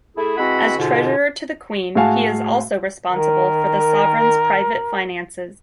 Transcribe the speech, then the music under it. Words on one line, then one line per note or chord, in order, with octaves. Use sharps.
As Treasurer to the Queen, he is also responsible for the Sovereign's private finances.
A3 E4 G#4
E3 G#3 C4 F#4 F#5 B5
G#2 B2 D3 F4
A2 G#3 F#4 F5 G#5 A5
D#3 A#4